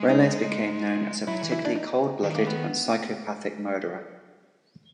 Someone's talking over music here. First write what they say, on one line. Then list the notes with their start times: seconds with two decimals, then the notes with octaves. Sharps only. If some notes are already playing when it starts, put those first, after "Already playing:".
Reles became known as a particularly cold-blooded and psychopathic murderer.
Already playing: G#3
0.09 D#4
1.27 F#3 E4
1.43 E3
1.52 E4
1.65 D4
1.75 D#4
2.23 D#3
2.35 A#3
2.47 B3